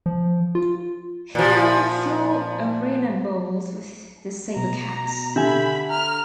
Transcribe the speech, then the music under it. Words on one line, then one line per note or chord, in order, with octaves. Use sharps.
He won four ArenaBowls with the Sabercats.
F3
F4
A#2 F3
B2 A#5
D3 G4 E5 G#5 B5
A#5 F6